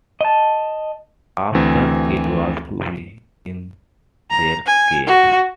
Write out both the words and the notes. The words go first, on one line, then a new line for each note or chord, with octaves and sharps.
After, it was to be in their care.
D#5 A5
D2 E3 C4
A#5
G#5
F#4